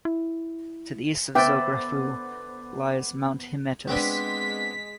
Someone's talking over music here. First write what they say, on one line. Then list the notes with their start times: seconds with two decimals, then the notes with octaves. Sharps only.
To the east of Zografou lies mount Hymettus.
0.05 E4
1.35 D3 B3 B4 C5 E5 G5 D6 A6
3.88 G#3 B3 C4 D4 B6